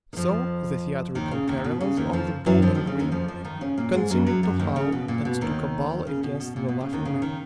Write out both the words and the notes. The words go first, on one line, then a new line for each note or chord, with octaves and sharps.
So the theatrical caravans on the bowling-green continued to howl and to cabal against the Laughing Man.
D#3
F2 F3
D#2 D#3
C#3
D#2 D#3
B2
C#3
D#2 D#3
F2 F3
F#2 F#3
F2 F3
D#2 D#3
C#3
D#2 D#3
F2 F3
F2 F3
D#3 D#4
C#3 C#4
A#2 A#3
G#2 G#3
F#2 F#3
F#2 F#3
F#2 F#3
D#2 D#3
C#3
B2
A#2
B2
D#2 D#3
C#3
B2
B2
A#2
B2
C#3
D#2 D#3
C#3
D#3